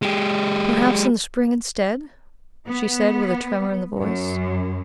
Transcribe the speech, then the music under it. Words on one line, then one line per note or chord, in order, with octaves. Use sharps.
"Perhaps in the spring instead--" she said, with a tremor in the voice.
G#3 G4
B3
F#2